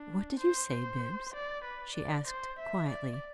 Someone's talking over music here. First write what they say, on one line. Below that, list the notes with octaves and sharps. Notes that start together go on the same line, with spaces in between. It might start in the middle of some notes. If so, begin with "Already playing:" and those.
"What did you say, Bibbs?" she asked, quietly.
Already playing: D4
C5
C5
D5
B4
D5
C5
E5
D5